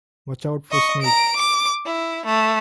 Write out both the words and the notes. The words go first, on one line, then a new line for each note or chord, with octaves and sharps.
Watch Out for Snakes!
D#5 C#6
A#5 D7
D6
E4
A3